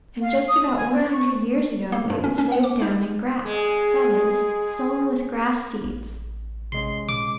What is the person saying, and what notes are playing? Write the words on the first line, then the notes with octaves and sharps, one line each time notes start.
And just about one hundred years ago it was laid down in grass; that is, sown with grass seeds.
F5
D#6
G#5
D4
C#6
A#3
G2
C#4
C#4
F#5
D6
D#4
G#3 G#4
A1
C3 G#3 C#4 C6
A#2 D6